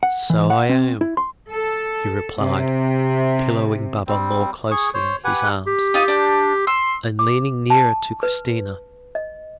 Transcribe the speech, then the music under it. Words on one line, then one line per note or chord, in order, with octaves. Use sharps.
"So I am," he replied, pillowing Baba more closely in his arms, and leaning nearer to Christina.
F#5
E3
F#5
C4
E4
C6
A4
C3
G3 C4
G#4 C#6
C5 C#5
G4 B4 F#5 G#5
G4
D#4 F4 D#5
D4 G6
C6 E6
D6
A5
B4
D#5